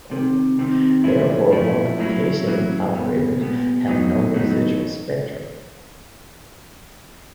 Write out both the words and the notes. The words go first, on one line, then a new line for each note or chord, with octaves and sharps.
Therefore, multiplication operators have no residual spectrum.
C2 C3 D#3
C2 C3 D#3
A#2 F3 A3 C#4 E4
A#2 F3 A3 C#4 E4
A2 F#3 A#3 C#4 E4
A2 F#3 A#3 C#4 E4
C2 A#2 G3 B3
C2 A#2 G3 B3
A2 F#3 B3 D#4
A2 F#3 B3 D#4